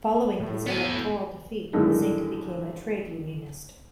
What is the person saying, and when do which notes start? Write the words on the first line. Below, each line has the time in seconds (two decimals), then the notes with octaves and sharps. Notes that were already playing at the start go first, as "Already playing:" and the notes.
Following his electoral defeat, Zinck became a trade unionist.
0.40 A2
0.67 B3 G#5
1.73 F#2 A2 D3 D#3 G#3 A3